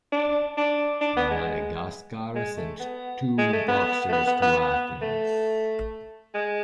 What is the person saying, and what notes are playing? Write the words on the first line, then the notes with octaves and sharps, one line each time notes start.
Madagascar sent two boxers to Athens.
D4
D4
D4
B3
G#3
G#3
A3
B3
G#3
A3
B3
A3
B3
B3
B3
B3
A3
G#3